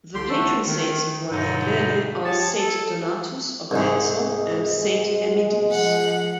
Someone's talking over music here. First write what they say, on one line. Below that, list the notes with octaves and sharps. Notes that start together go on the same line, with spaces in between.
The patron saints of Guardiagrele are Saint Donatus of Arezzo and Saint Emidius.
C2 D3 G4 C6
E3 A3 D4 F#5 C#6 E6
D#3
G2 B2 D3 F#3 D#4
G4 G#4 C#5 A5
A4 A5
C2 G#2 G#3
F3 F#5